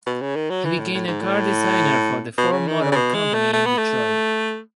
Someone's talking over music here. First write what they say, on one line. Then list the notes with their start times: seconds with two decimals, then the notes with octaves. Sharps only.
He became a car designer for the Ford Motor Company in Detroit.
0.06 B2
0.21 C#3
0.36 D#3
0.50 F#3
0.65 E3
0.80 A2
0.94 A2
1.08 G#2
1.22 A2
2.38 B2
2.52 C#3
2.67 D#3
2.81 C#3
2.92 C#3
2.96 B2
3.14 G#3
3.34 A3
3.53 A3
3.66 B3
3.78 A3